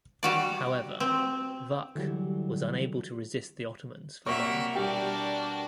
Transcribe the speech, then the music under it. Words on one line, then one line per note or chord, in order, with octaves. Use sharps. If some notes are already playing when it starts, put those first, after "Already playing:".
However, Vuk was unable to resist the Ottomans for long.
G3 F#4 D5
C4
D3 E3 F#3 G3
C3 F#3 G3 A#3 E5 C#6
B2 G3 B3 D4 F#4 G4 A#4 D5